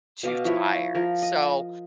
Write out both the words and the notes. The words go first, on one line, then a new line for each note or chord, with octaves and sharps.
too tired. So,
B2 F5 D6
F3 E4 C#5
F3 A#4
D#5